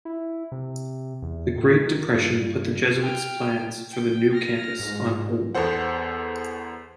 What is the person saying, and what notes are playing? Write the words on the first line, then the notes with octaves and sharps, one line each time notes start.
The Great Depression put the Jesuits plans for the new campus on hold.
E4
C3
E2
A2
D#3
G2
G5 F6
G5
F6 A#6
G#2
E2 B3 A4 C5 F#5